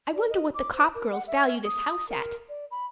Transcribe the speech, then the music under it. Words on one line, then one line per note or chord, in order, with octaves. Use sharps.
I wonder what the Copp girls value this house at.
D5
D#5
D6
C5
A#4
F#5
E5
D#6
A#4
D5
B5